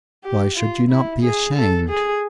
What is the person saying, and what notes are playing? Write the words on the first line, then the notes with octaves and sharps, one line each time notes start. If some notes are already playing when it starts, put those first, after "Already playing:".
Why should you not be ashamed?
G4
F4
E4
G#4
A4
G#4